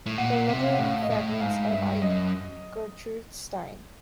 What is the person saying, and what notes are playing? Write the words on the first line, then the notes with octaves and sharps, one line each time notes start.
The libretti-fragments are by Gertrude Stein.
A2
A#2 F#5
C3
F5
F#5
A2 F5
D#5
A2 E5
G#2 F5
G2 E5
F#2 D#5